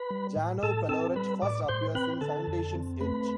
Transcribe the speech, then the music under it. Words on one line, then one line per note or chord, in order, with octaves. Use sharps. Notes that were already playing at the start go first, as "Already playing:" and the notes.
Janov Pelorat first appears in "Foundation's Edge".
Already playing: B4 B5
G3
A2
A2 A4 A5
C4 A4 A5
G3 B4 B5
A2 D5 D6
A2 C5 C6
C4 B4 B5
D3 A4 A5
F2
C4
A3 B4 B5